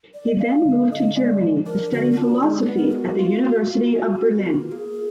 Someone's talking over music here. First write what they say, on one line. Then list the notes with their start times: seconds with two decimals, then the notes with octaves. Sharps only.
He then moved to Germany, to study philosophy at the University of Berlin.
0.14 D5
0.27 D#5
0.40 G#3 F5
0.65 D3
0.90 D3 D#5
1.16 G#3 D5
1.41 F3
1.66 D4 A#4
1.92 D3 F#4
2.11 F#4
2.17 D4 F4
2.43 G#3 G#4
2.59 G#4
2.68 B3
2.77 A#4
2.94 G#3 F#4
3.19 F4
3.45 F4
3.70 F4
3.95 G#4
4.21 B3
4.45 A#3 F4
4.72 A#3 G#4